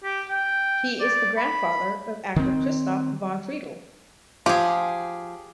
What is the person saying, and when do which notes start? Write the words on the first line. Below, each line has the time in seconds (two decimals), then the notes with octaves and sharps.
He is the grandfather of actor Christoph von Friedl.
0.03 G4
0.29 G5
1.00 D5
1.37 B5
2.36 D#3 C4
4.46 F3 G4 G#4